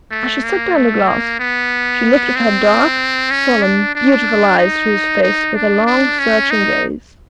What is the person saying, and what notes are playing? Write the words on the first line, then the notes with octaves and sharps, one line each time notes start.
As she set down the glass, she lifted her dark, solemn, beautiful eyes to his face with a long, searching gaze.
A3
A#3
A3
A#3
B3
C4
C#4
D4
D4
D#4
D#4
D4
D4
C#4
D#4